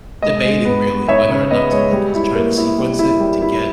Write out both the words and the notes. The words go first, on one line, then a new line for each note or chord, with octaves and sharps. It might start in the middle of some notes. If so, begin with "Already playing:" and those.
debating really whether or not to look into trying to sequence it to get
G#3 D#5
G#3
B3
B3
D#4 C#5 E5
C#3 C#5
B3 D#5
G#3 C#5
G3
E4
A#3
E4
G3
E4
G3
E4